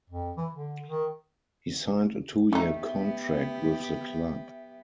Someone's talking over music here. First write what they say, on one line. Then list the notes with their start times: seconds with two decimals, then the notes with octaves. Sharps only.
He signed a two-year contract with the club.
0.10 F2
0.37 E3
0.53 D3
0.87 D#3
2.53 A3 B3 D#4 G4 E5